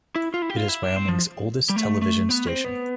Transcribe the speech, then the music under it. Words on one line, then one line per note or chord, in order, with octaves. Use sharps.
It is Wyoming's oldest television station.
E4
F4
E4
G4
F4
E4
D4
C4
F3
G3
A3
A3
B3
C4
B3